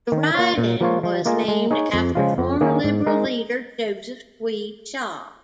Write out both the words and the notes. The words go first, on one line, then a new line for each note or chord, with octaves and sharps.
The riding was named after former Liberal leader Joseph Tweed Shaw.
D#3
A#3 F4 C#5
A#2
F3 A#3 F4 C#5
F3
A#3 F4 G#4 D#5
G#3
D#4 G#4 C#5
F2
C#3 F3 G#3 F4
F2
D#3 A#3 C#4 G#4
G#2
G#3 D#4 A#4